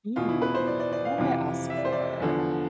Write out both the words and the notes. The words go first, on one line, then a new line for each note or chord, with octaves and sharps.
Hmm, what would I ask for?
E2 B2 F4
E4
B4
C5
D5
D5
D5
F5
F2 C3 E3
E5
D5
C5
D5
E2 D3 F3